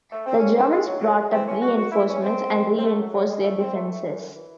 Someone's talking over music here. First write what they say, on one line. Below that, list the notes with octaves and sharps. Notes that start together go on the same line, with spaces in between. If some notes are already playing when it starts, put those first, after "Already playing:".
The Germans brought up reinforcements and reinforced their defences.
A3
C4
G#2 C#4
C4
D#3 G#3
F#3
A2 F#3
G#3
E3 C4
C#4
G#2 F#4
F#4
E3 E4
C#4
G#2 C4
D#3
C4
F#2 A3
F#3
D#3 F#3
G#3
A2 A3
C4
E3 A3
A3
F#2
E3